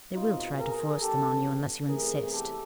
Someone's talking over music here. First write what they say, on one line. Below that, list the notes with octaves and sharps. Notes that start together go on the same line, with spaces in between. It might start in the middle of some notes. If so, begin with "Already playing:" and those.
They will try to force them on you unless you insist.
B2 G3 C4 D#4 F4
G#4 A#4
F2 D3 G3 B3 G4 A4
E2 C3 E3 A3 C4 G#4 A#4
G4 A4